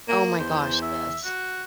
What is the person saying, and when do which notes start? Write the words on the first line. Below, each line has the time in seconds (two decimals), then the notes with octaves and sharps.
Oh, my gosh, yes.
0.08 A#3
0.39 E2 C5
0.82 E5
1.24 F#4